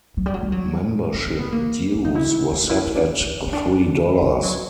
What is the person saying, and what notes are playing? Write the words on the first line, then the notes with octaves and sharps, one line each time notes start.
Membership dues were set at three dollars.
F#3
G3
F#3
G3
F#3
C#4
C4
B3
A#3
E4
D#4
E4
D#4
D#4
E4
D#4
D4
D#4
C#4
D4
D#4
A3
F#3